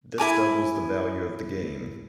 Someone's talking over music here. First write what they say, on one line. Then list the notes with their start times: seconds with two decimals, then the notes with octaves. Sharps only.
This doubles the value of the game.
0.18 E4 A#4 G#5 D6